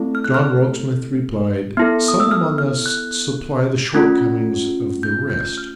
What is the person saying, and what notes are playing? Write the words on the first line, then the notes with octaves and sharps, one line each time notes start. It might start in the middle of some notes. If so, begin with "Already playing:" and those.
John Rokesmith replied, 'Some among us supply the short-comings of the rest.
Already playing: A3 C4 E4 A4
F6
F#6
F6
B3 E4 A4
D#6
E6
F6
F6
F#6
A3 C#4 F4 G#6
G6
G6
F6